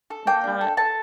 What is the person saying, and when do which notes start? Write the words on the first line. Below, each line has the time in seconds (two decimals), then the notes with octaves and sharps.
It's not
0.10 A4
0.27 A#3 G5
0.44 D4
0.61 A4
0.77 A4 A5